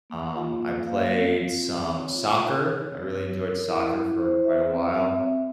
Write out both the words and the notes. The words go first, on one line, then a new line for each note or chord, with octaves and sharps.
Um, I played some soccer. I really enjoyed soccer for quite a while,
A#3
F4
A#3
F5
C4
F4
C4
C#5
F4
A#4
C#5
C4
C#5
A#4
E4
E4
C5
E5
C4
E5
C4